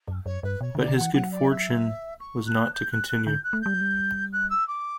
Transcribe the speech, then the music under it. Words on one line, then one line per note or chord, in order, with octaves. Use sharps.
But his good fortune was not to continue.
F#2
F#2 C#5
G2 B4
B2 C#5
D3
D5
D3
E3 F#5
F#3 F#5
D5
E5
C#6
F#6
G6
F#6
F#6
D3 G6
F#6
A3
G3 G6
F#3
G3
F#6
E6
D6